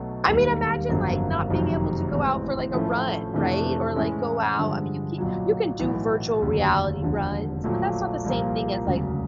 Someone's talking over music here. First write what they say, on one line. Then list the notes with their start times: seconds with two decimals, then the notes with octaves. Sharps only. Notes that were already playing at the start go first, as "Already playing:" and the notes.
I mean, imagine, like, not being able to go out for, like, a run, right? Or, like, go out I mean, you c you can do virtual reality runs, but that's not the same thing as, like
Already playing: B1 B2 F#3 A3
0.27 E1 D#2 D#3 G3 A#3
0.89 G1 F2 D3 F#3 A#3
1.50 F#1 F2 C3 D#3 F#3
2.11 A1 A2 E3 G#3 C4
2.73 A2 F3 A3 C#4 E4
3.34 F2 C3 E3 A3 D4
3.96 A2 E3 G#3 C#4
4.58 G2 D3 F3 G#3
5.18 B1 A#2 F#3
5.79 B1 A2 E3
6.41 F1 D#2 D3 F#3
7.02 E1 D#2 D3 F3
7.64 A#1 A#2 F#3 A3
8.24 C2 A#2 F3 A#3
8.86 E1 D2 C#3 F#3